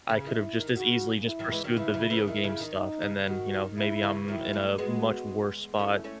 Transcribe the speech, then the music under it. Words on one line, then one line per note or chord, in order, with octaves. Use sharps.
I could have just as easily just pursued the video game stuff and then, you know, maybe I'm in a much worse spot,
C#3
D#3 E4
D#3
C#3 F#4
E4
D#3 F#3
E3 G#3
D#3 F#3
C#3 E3 E4
C#3
C#3 E3
D#3 E4
C#3
D#3
D#4
C#3
D#3 F#4
D#3
C#3 E4
C#3 E3
D#3 F#3 E4
F#3 A3
G#3 B3 F#4
A3 C#4 E4
A3 C#4